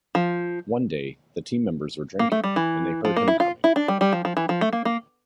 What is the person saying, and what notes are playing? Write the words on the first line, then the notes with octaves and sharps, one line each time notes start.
One day, the team members were drinking, when they heard him coming.
F3
A#3
A3
G3
E3
F3
A#3
E4
F4
E4
D4
G3
G3
F3
F3
E3
F3
A3
A#3
A#3